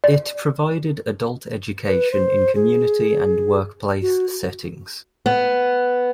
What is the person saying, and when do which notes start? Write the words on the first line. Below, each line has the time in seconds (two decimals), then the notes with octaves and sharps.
It provided adult education in community and workplace settings.
0.04 D5
1.86 B4
2.12 C5
2.55 G#4
4.02 F#4
5.26 B3